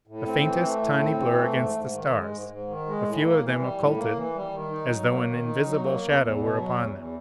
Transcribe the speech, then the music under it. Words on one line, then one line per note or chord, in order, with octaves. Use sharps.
A faintest, tiny blur against the stars, a few of them occulted as though an invisible shadow were upon them.
A2
C4
E3
A3
A2
C4
E3
A3
G#2
G#2
D#3
G#3
G#2
G#2
D#3
G#3
A2
A#3
E3
G3
A2
A#3
E3
G3
D#3
D#4
F#3
A#3
D#3
D#4
F#3
A#3
E2
E2
B2
F#3
E2
E2